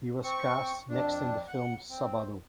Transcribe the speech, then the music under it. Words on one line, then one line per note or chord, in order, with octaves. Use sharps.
He was cast next in the film "Sabado".
C4 C#6
F2 D4
F#5
C4